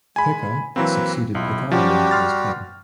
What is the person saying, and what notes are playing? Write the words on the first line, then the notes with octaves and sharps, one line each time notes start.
Pekah succeeded Pekahiah as king.
G#3 G#5 B5
E3 F#3 A#3 C4 B4
B1 E4 F4
F3 G3 C#4 F#4 G4
C6 F6 A6